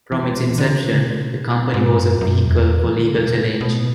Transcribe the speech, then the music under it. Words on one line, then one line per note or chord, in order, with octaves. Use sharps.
From its inception, the Company was a vehicle for legal challenge.
E3
D3
C#3
D3
C#3
B2
G#2
F#2
F#2
E2
E3
D3
C#3
B2
A2
B2